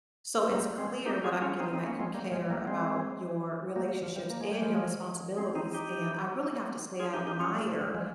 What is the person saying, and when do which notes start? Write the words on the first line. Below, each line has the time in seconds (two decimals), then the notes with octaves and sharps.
So, it's clear what I'm getting that you care about your relationships and your responsibilities, and I really have to say, I admire
0.52 G3 A#3
0.78 G#3 C4
1.06 D#4 G4
1.24 F4 G#4
1.42 C#4 F4
1.60 C4 D#4
1.73 C4 D#4
1.86 A#3 C#4
2.00 G#3 C4
2.14 G3 A#3
2.32 F3 G#3
2.50 G3 A#3
2.67 G#3 C4
3.76 G3 A#3
4.03 F3
4.16 G3
4.30 A#3
4.41 G#3
4.51 G3
4.62 F3 G#3
5.37 G#3 C4
5.55 C4 D#4
5.73 D#4 G4
7.00 F4 G#4
7.14 D#4 G4
7.27 D#4 G4
7.40 C#4 F4
7.54 G3
7.67 F3
7.81 G3
7.95 F3 G#3